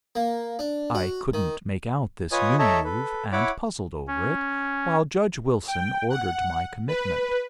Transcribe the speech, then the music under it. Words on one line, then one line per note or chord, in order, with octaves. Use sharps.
I couldn't make out this new move, and puzzled over it, while Judge Wilson ordered my commitment.
A#3
D4
F#4
D#3
F4 B4 C#5 D#5 G#5 D#6
A4 C#5 D#5 E5 A5 A#5
A4 B4
E4 C#5 F#5 B5 D6
C#4
G5
F#5
B4